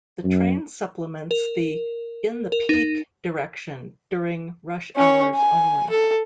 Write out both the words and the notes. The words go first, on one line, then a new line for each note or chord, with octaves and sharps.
The train supplements the in the peak direction during rush hours only.
F#2
A#4
A#4
D#4
C#4 C#5
G#5
A4